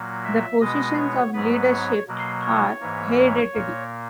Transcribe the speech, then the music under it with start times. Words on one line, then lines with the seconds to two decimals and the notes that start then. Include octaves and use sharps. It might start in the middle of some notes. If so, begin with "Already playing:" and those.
The positions of leadership are hereditary.
Already playing: A#2 F#3 A#3
0.24 E5
0.60 B2 G#3 B3 D#5
0.97 C#5
1.33 G#2 F#3 B3 B4
1.70 C#5
2.08 B2 F#3 A#3
2.45 C#5
2.80 G#2 E3 A#3
3.18 C#5
3.54 A#2 A#3